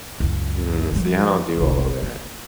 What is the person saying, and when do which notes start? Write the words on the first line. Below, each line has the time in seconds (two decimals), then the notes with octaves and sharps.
Mm, see, I don't do all of that.
0.20 C#2 F#2
0.92 F3 G3
1.56 F1 C2
2.02 A#3